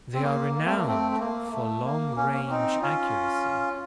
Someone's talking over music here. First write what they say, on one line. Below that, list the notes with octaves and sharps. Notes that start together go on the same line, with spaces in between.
They are renowned for long-range accuracy.
C4
A#3
A#3
A3 C4
A#3
A3 C4
A3
A#3
A3
A#3
A#3 C#4
A#3 C#4
C#4
C4 D#4
C#4 F4